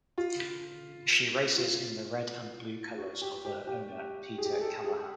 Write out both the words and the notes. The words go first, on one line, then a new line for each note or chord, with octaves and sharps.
She races in the red and blue colors of her owner Peter Callahan.
F4
F4
F#4
G4
G4
G4
G#4
G4
G#4
A4
G#4